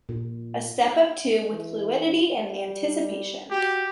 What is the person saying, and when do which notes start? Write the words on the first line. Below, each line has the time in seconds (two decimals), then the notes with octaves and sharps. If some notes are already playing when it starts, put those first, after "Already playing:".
A step of two with fluidity and anticipation.
0.09 A#2
1.52 E3
2.39 G3
3.51 F#4 G4